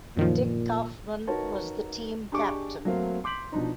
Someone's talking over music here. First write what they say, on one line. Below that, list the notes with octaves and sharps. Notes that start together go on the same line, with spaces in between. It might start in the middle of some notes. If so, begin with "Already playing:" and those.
Dick Kaufmann was the team captain.
F#2 A#2 D#3 F3
D#4 F#4 A#4 B4 C#5 A5
D4 G4 G#4 D#5 C#6 D6
F#3 A3 A#3 C4 F5
C6 D6 G6 B6 F#7
B2 F3 D4 D#4